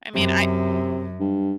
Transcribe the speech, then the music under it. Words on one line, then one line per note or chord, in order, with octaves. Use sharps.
I mean, I
F#2 C3
G2